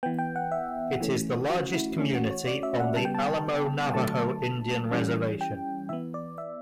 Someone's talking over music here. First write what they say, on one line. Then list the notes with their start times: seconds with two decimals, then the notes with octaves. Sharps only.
It is the largest community on the Alamo Navajo Indian Reservation.
0.03 E3 B3 G5
0.19 G5
0.36 F#5
0.52 E5
1.01 E3 A3 C#4
1.50 F#4
1.73 E4
1.98 E3 A3 C#4 D4
2.15 F#4
2.31 C#5
2.47 D5
2.63 E5
2.80 F#5
2.96 C#3 G3 B3 A5
3.05 G5
3.15 A5
3.94 D3 F#3 A3 A5
4.91 E3 G3 C#4
5.41 G5
5.89 E3 B3 E5
6.14 D5
6.38 E5